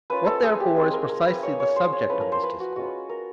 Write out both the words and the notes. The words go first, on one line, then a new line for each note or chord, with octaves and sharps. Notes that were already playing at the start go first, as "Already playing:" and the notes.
What therefore is precisely the subject of this discourse?
A#3 C#4 F4 B4
A4
G#4
G4
G#3 C4 D#4 G#4
A#4
A#4
B4
A#3 D#4 C#5
C#5
C5
C#5
F3 A3 C#4 E4 B4
A#4
C5
B4
F#4
G#3 C#4 F4 F#4
A#4